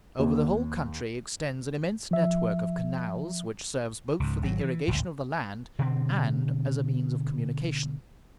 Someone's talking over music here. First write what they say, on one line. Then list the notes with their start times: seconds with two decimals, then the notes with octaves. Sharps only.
Over the whole country extends an immense network of canals, which serves both for the irrigation of the land and as a means of communication.
0.19 D#2
2.11 F3 E5
4.20 C#2 G#2
4.42 G#1 F#3
4.60 E3
4.88 D#1 G#1 D2 A2
5.79 B2 D3 C4